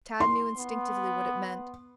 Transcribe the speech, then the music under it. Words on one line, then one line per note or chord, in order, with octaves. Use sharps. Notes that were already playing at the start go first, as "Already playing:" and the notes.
Tad knew instinctively what it meant.
C6
B3